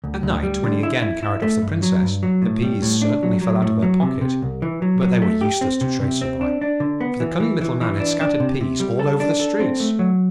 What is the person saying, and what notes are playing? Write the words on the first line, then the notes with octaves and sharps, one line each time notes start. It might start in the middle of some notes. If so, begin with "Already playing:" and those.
At night, when he again carried off the Princess, the peas certainly fell out of her pocket, but they were useless to trace her by, for the cunning Little Man had scattered peas all over the streets.
D2
D2
G3
D3
E4
E4
E4
A3
G2
F#3
G2
F#3
A2
G3
A2
D4
F#3
F#3
A2
F#3
C3
C3
C2
E3
F#3
F#3
A3
G4
C4
C3
C3
C4
D4
D4
D3
B3
E3
E3
E3
E3
D4
D4
C3
C3
G3
A4
D4
A4
C4
A3
F#3